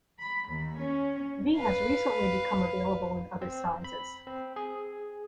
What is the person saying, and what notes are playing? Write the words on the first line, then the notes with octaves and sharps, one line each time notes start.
V has recently become available in other sizes.
B5
D#2
C#4
B4 F5
C4
B5
C4
G#4